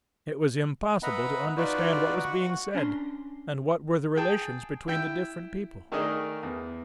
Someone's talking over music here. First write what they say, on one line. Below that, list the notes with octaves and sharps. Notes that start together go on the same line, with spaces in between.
It was impossible to understand what was being said and what were the relations between the different people.
B4 D#5 E5 F#5 A#5 B5
D#4 F4 F#4 B4 D5
F#4 F#5
C#4 D4 A#5 C6
G#4 G5 A5
E4 G5
D#3 A3 D4 G#4 A#4 D#5
E2